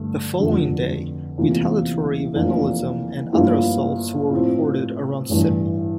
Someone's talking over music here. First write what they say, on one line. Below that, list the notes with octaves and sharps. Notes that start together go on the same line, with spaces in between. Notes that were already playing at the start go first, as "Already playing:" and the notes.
The following day, retaliatory vandalism and other assaults were reported around Sydney.
Already playing: G2 D3 A3
F1 F2 D3
E2 C3 E3 A#3 F4
F1 F2 E3 A#3 D4
G1 G2 F3 A#3 E4
A2 F3 C4
A1 G2 E3